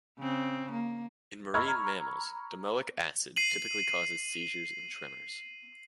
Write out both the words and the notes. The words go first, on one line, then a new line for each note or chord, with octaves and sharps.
In marine mammals, domoic acid typically causes seizures and tremors.
C#3 C4
A#3
A#5 B5 C#6 E6 F6 G#6
C7 D#7 F#7